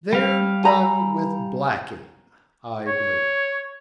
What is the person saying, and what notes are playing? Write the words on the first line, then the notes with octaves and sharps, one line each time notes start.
'They're done with blacking, I believe.'
G3 F5
G#5 A#5 B5
C#5